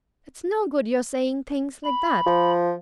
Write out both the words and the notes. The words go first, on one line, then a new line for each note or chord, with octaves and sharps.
It's no good your saying things like that.
B5
F3